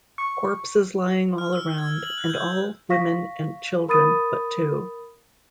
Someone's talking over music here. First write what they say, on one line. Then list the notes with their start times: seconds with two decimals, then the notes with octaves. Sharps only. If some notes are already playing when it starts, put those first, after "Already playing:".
Corpses lying all around, and all women and children, but two.
0.18 C#6
1.38 F6
1.53 E6
1.78 G#6
2.02 F#7
2.18 F#6
2.30 G6
2.90 F5 C#6 A#6 B6
3.88 A#4 B5 D#6 A6 D#7